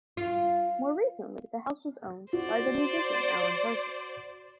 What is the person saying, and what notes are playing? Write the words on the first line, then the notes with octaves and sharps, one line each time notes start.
More recently the house was owned by the musician Alan Parsons.
F4
F#4 C5 D5